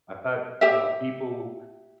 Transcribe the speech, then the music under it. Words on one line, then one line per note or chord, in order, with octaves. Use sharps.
I thought, uh, people
G4 E5